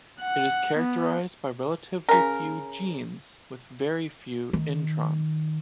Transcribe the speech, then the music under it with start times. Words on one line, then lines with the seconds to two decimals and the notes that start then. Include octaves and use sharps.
It is characterised by relatively few genes with very few introns.
0.21 F#5
0.77 B3
2.09 C#3 A#4
4.53 D#3